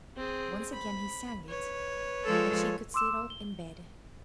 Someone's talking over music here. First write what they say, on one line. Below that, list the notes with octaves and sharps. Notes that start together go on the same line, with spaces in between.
Once again he sang it, and she could sit up in bed.
C4 G#4
B5
B4 C#5
F3 G#3 A4
C6 D6 E6 E7
G7